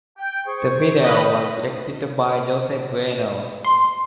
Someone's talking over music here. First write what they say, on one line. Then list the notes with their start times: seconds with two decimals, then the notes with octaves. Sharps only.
The video was directed by Jose Bueno.
0.18 G5
0.46 G#4 C5 C#6
1.04 B4 D#5
3.65 C6